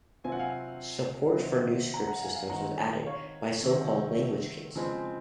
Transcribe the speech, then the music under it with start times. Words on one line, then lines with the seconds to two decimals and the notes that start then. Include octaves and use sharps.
Support for new script systems was added by so-called Language Kits.
0.24 C3 F#3 C4 F4 G#5
0.32 F#5
0.39 F5 G#5
1.37 C3 D#3 F#3 C4 D#4
1.94 F#5 A#5
2.07 F#5 A#5
2.22 F5 G#5
2.35 F5 G#5
2.49 D#3 G#3 C4 D#4 F#5 A#5
3.07 C#5 F5
3.63 C3 D#3 F#3 C4
4.76 C#3 F3 G#3 C4